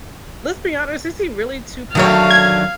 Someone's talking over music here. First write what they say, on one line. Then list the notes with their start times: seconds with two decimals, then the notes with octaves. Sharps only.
let's be honest is he really too powerful?
1.95 D3 D#3 F#3 A3 F#4 C#5 F5
2.30 G#6